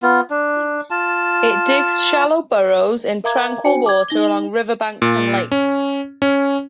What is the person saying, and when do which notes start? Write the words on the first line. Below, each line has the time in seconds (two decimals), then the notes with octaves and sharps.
It digs shallow burrows in tranquil water along river banks and lakes.
0.02 B3 F4
0.30 D4
0.90 F4 A5
3.24 A#4 E5 F5 A#5 D6 G#6
3.65 D4 F#4 C5 G5 G#5 C#7
3.86 D6 G#6
4.08 D#4 A#6 G7
5.02 A#2
5.52 C#4
6.22 C#4